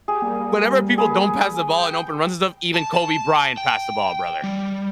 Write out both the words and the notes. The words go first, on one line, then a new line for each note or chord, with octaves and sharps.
whenever people don't pass the ball in open runs and stuff, even Kobe Bryant passed the ball, brother.
G4 G#4
G3 A#3
G#4 B4
G5
A5
A5
G5
G3